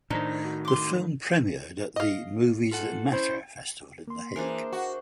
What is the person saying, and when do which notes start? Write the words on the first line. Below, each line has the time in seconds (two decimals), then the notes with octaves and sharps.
The film premiered at the Movies That Matter Festival in The Hague.
0.10 A2 D#3 D4 D#4 C5
0.45 F#4
0.65 C6 D6
1.96 D#5 F5
2.71 F4 A4 F#5
3.13 C#4 E4 C5
4.08 A#3 C6
4.36 E3 D4 G#4 A#4 C5
4.72 F#4